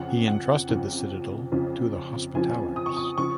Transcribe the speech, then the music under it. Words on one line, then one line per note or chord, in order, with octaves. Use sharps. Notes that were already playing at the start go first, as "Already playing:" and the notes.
He entrusted the citadel to the Hospitallers.
Already playing: F2 C#3 F3 F#5
F#5
F2 C#3 F3
F2 C#3 F3
F2 C#3 F3 G#5
D#6
C#6
D#6
C#3 F3 C#6